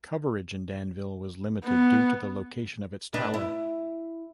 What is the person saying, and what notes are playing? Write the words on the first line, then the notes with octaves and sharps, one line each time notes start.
Coverage in Danville was limited due to the location of its tower.
B3
D4 D#4 B4
E4